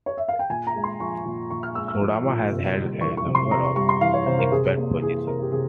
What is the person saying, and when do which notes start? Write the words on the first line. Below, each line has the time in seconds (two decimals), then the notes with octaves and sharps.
Sotamaa has held a number of expert positions.
0.06 C#5
0.17 E5
0.28 F5
0.39 G5
0.50 A#2 G#5
0.67 A#5
0.75 G#3
0.84 C6
1.00 F3 C#6
1.25 A#2
1.51 A#2 C#6
1.63 F6
1.75 G#3 E6
1.88 E6
2.01 F3
2.26 A#2
2.51 C3
2.76 G3
3.01 E3 C#6
3.17 C#6
3.26 C3
3.35 C6
3.51 C3 A#5
3.64 C#6
3.76 G3 C#6
3.89 C6
4.01 E3 F5
4.14 C#5
4.26 C3 C5
4.39 A#4
4.52 C3 G#4
4.77 A#3
5.02 E3 G#4
5.27 C3 A#4
5.42 G4
5.52 C3 G#4